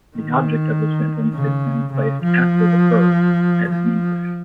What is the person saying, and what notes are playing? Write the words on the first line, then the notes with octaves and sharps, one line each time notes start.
The object of the sentence is then placed after the verb, as in English.
D#3
C#3
C#3
F3
F3